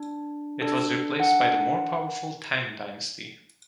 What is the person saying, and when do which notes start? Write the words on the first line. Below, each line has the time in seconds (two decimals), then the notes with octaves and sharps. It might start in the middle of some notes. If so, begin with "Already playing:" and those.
It was replaced by the more powerful Tang dynasty.
Already playing: D4
0.62 D4 A4
1.20 F#5